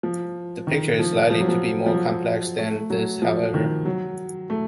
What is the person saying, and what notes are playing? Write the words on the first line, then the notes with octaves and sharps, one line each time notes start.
The picture is likely to be more complex than this, however.
F3
D#3
F3
F3
F#3
F3
F3
F#3
A3
F#3
F3
D#3
F#3
A3